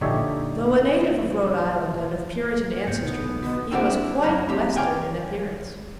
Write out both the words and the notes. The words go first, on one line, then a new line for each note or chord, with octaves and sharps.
Though a native of Rhode Island, and of Puritan ancestry, he was quite Western in appearance.
A#1 D3 D#4 G4 C#5 E5
G#2 A3 B3 C#5 G6 C#7
C2 B3 D#4
B1
D3 B3 F#4 D#5
C4 D4 E4 F#4 C5 D5
F#2 A#3 C#5 B5
C4 G4
C#5 D5 F5 G5 G#5